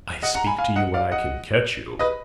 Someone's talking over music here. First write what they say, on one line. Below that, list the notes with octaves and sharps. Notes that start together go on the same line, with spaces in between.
I speak to you when I can catch you.
D#5 F#5
F#5 A#5
G#5 B5
F5 G#5
D#5 F#5
D5 F5
D#5 F#5
B4 D#5